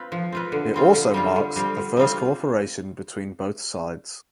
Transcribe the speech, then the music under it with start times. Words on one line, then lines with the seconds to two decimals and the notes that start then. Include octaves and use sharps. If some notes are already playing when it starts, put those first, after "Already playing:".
It also marks the first cooperation between both sides.
Already playing: C4 F4 B4
0.12 F3
0.32 C4 F4 B4
0.52 D3
0.74 G3 C4 F4
0.94 D3
1.14 G3 C4 F4
1.36 D3
1.56 G3 C4 F4
1.76 D3
1.97 G3 C4 F4